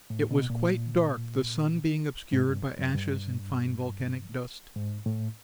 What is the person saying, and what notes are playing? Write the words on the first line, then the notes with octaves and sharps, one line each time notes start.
It was quite dark, the sun being obscured by ashes and fine volcanic dust.
A2
B2
A#2
G#2
G2
F#2
G2
G#2
A2